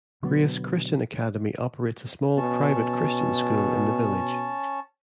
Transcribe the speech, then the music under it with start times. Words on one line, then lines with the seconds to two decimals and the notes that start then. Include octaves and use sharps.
Grace Christian Academy operates a small private Christian school in the village.
0.23 B2 D3 F#3 B3
2.37 B2 C#4 A5